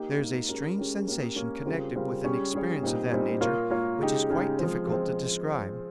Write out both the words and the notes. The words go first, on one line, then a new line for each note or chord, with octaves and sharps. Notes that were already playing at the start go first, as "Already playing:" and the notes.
There is a strange sensation connected with an experience of that nature which is quite difficult to describe.
Already playing: A#3 D#4 G4
A#3 D#4 G4
G#3 C#4 G4 A#4
G#3 C#4 G4 A#4
A#3 C#4 G4
A#3 C#4 G4
C#3 G3 C4 F4 A#4
C#3 G3 C4 F4 A#4
G3 C#4 G#4 C#5
G3 C#4 G#4 C#5
A#2 G3 C4 D#4
A#2 G3 C4 D#4
A#3 F4 A#4 C#5
A#3 F4 A#4 C#5
C#3 G#3 D#4 G4
C#3 G#3 D#4 G4
F3 G#3 C4
F3 G#3 C4